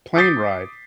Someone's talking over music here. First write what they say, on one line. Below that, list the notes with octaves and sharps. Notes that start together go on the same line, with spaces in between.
a plane ride,
D6 D#6 G6 A6 B6 C7